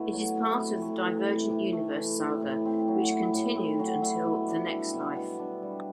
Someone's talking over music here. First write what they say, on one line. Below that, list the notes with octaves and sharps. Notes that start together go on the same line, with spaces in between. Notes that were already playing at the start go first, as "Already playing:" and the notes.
It is part of the "Divergent Universe" saga which continued until "The Next Life".
Already playing: B2 A3 E4
F#3
E4
C3
A3
E3
C3
C3
A3
E3
C3
A2
C4
F#3
E4
A2
C4
F#3
E4
B2
D4
G3
B2
B2
D4
G3